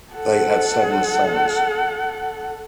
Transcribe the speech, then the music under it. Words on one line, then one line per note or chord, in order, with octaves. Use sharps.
They had seven sons.
A4 F#5